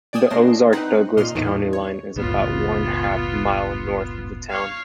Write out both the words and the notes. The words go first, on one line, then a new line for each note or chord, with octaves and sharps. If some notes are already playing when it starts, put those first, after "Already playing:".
The Ozark-Douglas county line is about one-half mile north of the town.
D5 G5 G#5 D#6 E7
B2 A3 D4 A#4 C6 A#6
C4 D#4 B4 F#5
A#2 A#3 D#5 C6 F6
E2 A2 E3 A3 D#4
C#5
F#1 C#2 A2 B3 F4
C#5 F5